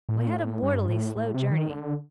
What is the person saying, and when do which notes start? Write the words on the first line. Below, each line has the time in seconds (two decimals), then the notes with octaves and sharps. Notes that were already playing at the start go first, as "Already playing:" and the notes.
We had a mortally slow journey.
0.09 A2
0.18 A#2
0.27 A2
0.63 G2
0.89 A2
1.16 A2
1.34 C3
1.51 D#3
1.70 D3